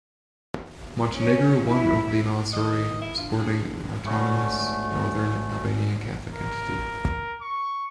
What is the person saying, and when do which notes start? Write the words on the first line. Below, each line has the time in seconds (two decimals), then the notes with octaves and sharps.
Montenegro won over the Malissori, supporting an autonomous northern Albanian Catholic entity.
1.16 C#4
1.67 E4
2.53 D#3 D#5
3.01 E4
3.17 D4 F4
3.39 D4 G#4
4.05 D2 G#2 A3 C#4 E5 B5
6.34 A#4
7.41 C#6